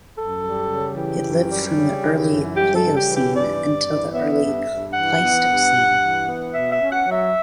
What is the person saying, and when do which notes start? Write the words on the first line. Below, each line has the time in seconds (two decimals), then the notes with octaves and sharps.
It lived from the Early Pliocene until the Early Pleistocene.
0.17 F#2 A4
0.43 G3
0.70 C#3
0.96 E3 G4
1.23 F#2
1.50 G3
1.76 C#3
2.02 E3
2.29 F#2
2.56 G3 G4
2.75 A4
2.82 C#3
2.95 G4
3.08 E3
3.15 G4
3.35 G2 D5
3.62 G2
3.88 E3
4.14 B3 E5
4.41 G2
4.67 G2
4.94 E3 F#5
5.20 B3
5.47 G2
5.73 G2
6.00 E3
6.27 B3
6.53 B2 E5
6.72 E5
6.79 C#4
6.92 F#5
7.06 F#3
7.12 E5